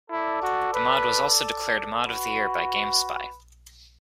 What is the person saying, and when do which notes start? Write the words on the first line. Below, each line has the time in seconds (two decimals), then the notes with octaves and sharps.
The mod was also declared Mod of the Year by GameSpy.
0.11 E4 A4 D5
0.43 F#4
0.74 B4
2.02 F#4 B4